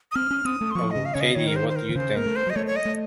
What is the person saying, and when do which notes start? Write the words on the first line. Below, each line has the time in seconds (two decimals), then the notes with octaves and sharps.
Oh, Katie, what do you think?
0.11 D#6
0.15 C4 F6
0.31 C#4
0.45 C4 D#6
0.61 A3
0.71 C6
0.75 F3 C#6
0.91 C#3 D#5
1.05 F5
1.14 C#3 C#5
1.21 D#5
1.35 D#3 C#5
1.47 A#4
1.56 C5
1.69 C5
1.76 A#4
1.89 D#3
1.95 C#3 C5
2.16 A#3 A#4
2.26 A3
2.36 C5
2.47 F#3 D#5
2.56 A3 C#5
2.67 C#5
2.76 D#5
2.85 A3